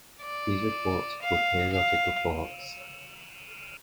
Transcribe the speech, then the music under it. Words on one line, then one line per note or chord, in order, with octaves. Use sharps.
These reports are called periodic reports.
D5
F5
F5